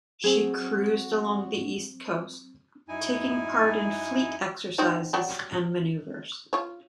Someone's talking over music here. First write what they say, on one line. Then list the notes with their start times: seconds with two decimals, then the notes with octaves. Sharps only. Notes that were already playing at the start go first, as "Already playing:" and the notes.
She cruised along the east coast, taking part in fleet exercises and maneuvers.
0.24 F#3 C4 F#4 G#4
2.89 F#2 D#4 E4 G#5
4.78 C4 D#4 F#4
5.13 F#3 G3
6.53 F4 C#5